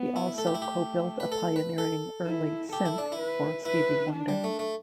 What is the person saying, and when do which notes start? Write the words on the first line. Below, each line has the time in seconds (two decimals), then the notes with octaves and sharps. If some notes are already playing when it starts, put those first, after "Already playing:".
He also co-built a pioneering early synth for Stevie Wonder.
Already playing: B3
0.16 E4
0.38 A3 A4
0.47 G4
0.55 E4
0.62 G4
1.20 B4
1.32 A4
1.56 B4
1.78 A4
2.26 E4
2.73 G4 A4
2.85 E4
2.98 D4
3.12 E4
3.19 B4
3.65 E4 B4
4.12 D4
4.28 G3
4.44 A3
4.59 A3